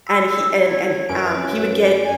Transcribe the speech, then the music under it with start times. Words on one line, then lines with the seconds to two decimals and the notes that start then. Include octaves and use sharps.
and he and and, um, he would get
0.07 E6
0.65 C#5
1.09 F#2 C#4 B4 D7
2.03 G#5